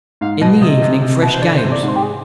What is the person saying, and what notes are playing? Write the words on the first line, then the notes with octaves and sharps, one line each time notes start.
In the evening fresh gales.
G#2 F5
B2 D#5
C3 D#5
C3
C3
B2
C5
D3 D5
C5
C3
D5
G#2
C5
G4
G#4